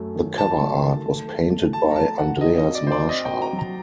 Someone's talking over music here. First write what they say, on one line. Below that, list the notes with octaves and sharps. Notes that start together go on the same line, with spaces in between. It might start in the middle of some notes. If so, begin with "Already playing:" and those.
The cover art was painted by Andreas Marschall.
Already playing: F#2 A3
D#3
D#3 A5
A3
D#3
A3
A#4
A3
F#4 A5
A#5
A3 A5
D#4 F#5
C4 D#5
F#4 D#5
D5
F#4 C5
D5
C4 D#5
G5
F#4
A#5
F#3
A#5